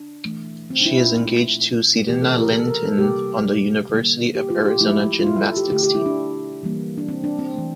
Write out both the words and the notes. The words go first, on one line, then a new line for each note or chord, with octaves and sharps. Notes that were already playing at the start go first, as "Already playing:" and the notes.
She is engaged to Sirena Linton on the University of Arizona Gymnastics Team.
Already playing: D4
E3 A3
C4
D4
E4
F4
A#2 A3
C3 E3 A3 G4
A4
A#4
A4
A#4
A4
C3 G3 A#3 G4
D3 G3 A#3
G4
F4
G4
A#2 F3 A3 E4
F4
E4
A4
G4
D3 A3 G4
G4
E4
D4
E3 G3 A#3
D4
C4
D4
C4
E3 A3